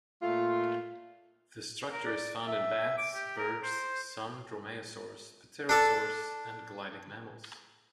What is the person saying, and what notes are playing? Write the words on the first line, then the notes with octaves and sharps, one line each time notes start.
The structure is found in bats, birds, some dromaeosaurs, pterosaurs, and gliding mammals.
A#2 A3 F4
A#4
D5
E5
D6
G4
A#4
C5
D4 A4 A5